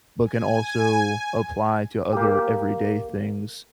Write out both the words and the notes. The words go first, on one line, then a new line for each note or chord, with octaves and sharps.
but can also apply to other everyday things
G#5
A#3 G4